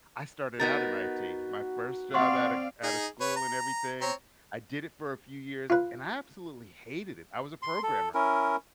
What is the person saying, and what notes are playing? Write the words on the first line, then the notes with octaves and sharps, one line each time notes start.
I started out in IT. My first job out of c out of school and everything. I did it for a few years, and I absolutely hated it. I was a programmer.
B3 D#4 F#4 A#4 A6
C4 D5 F5 F#5 C6 C#6
D#4 G#4
B4 C#5
A#5
C4 C#5 A#5
F4 B4
C6
A4
C#4 E4 A#4